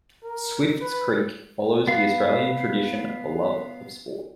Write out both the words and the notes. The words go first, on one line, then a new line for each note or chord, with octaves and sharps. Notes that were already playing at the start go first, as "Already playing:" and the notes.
Swifts Creek follows the Australian tradition of a love of sport.
A#4
B4
B3 F5